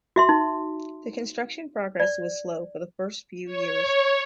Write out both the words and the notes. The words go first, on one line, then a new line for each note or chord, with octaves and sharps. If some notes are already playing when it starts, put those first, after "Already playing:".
The construction progress was slow for the first few years.
F#4 E5 C6
D#4
D5
C#5